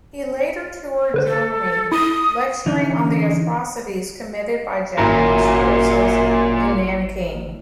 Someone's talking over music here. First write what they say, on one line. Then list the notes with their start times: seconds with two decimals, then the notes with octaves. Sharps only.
He later toured Germany lecturing on the atrocities committed by Japanese forces in Nanking.
1.14 D3 B4 C5
1.27 A4
1.92 E4 D#6
2.66 D3 E3 C#4 D#4
4.98 G#1 F#2 A#2 E4 A#5 C6